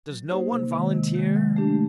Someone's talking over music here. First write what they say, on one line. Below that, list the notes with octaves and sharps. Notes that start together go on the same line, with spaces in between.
"Does no one volunteer?"
F#3
A#3 D#4 G4 C5
C3
D#3 G#3
C3
D#3 G#3
F#3
A3 D4 G4